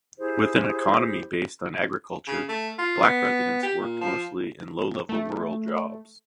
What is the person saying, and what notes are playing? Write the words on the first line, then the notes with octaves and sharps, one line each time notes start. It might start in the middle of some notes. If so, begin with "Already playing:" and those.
With an economy based on agriculture, black residents worked mostly in low-level rural jobs.
E4 G4 G#4 C5
C#3
A3
F4
B3
G4
A#2
F3
A3